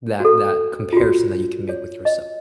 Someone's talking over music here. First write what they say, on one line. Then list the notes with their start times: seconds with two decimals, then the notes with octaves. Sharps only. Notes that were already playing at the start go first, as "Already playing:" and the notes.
that that comparison that you can make with yourself
0.20 F#4
0.25 A4
0.93 F4
0.97 F#4
1.69 C#5
2.05 D#5